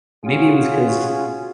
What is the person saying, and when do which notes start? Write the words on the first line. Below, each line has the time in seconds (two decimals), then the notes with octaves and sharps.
maybe it was 'cause
0.24 C#4 F4 F#4 G#4